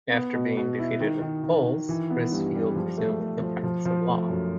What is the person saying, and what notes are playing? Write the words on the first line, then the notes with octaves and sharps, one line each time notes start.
After being defeated at the polls, Crisfield resumed the practice of law.
B3
B2
B2
E4
D#3
D#3
D#3
D#3
E3
B3
G2
G3
F3
A3
A3
F3
F3
F3
A3
F#2